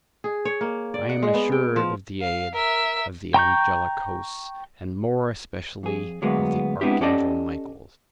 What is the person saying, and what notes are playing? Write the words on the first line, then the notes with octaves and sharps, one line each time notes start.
I am assured of the aid of the angelic hosts, and more especially of the archangel Michael's.
G#4
C#5
A#3
D5
F#5
G#3
B3
G5
F3
F5
A#4 E5
G5 A#5 C#6 G6
F2 G#4
D2 F#3 G#3 A#3 B3
G#3 B3 C4 D4 E4 G4
C#4 G4 A4 D5 D#5